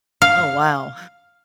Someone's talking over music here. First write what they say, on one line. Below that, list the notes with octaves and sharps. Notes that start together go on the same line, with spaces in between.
Oh, wow.
F5